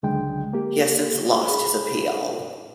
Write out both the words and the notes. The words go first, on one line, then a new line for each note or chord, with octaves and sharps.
He has since lost his appeal.
C#2 D3 F#3 G#3 D4 G5
A#3 G4
G#4 B5